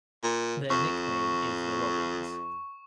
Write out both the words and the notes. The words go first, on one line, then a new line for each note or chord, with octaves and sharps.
Their nickname is the Robins.
A#2
F2 C#6